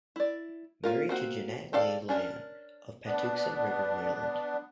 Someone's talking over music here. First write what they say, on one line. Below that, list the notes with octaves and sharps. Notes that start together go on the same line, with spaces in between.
Married to Janet Leigh Lyon of Patuxent River, Maryland.
E4 D5
A#3 F4 A#4
A#3 C4 F#4
C4 A4 D5 F5
C#4 D4 A#4
B3 D4